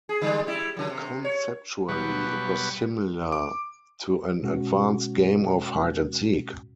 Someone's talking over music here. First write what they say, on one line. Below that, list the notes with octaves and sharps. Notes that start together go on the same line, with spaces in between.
Conceptually, it was similar to an advanced game of hide and seek.
G#4
D3 G3 G#3
G3 E4
C#3 F#3
C3
C#5
B2 F#3 G3 B4 C#6
D6
B2 G#3 C#4 F#4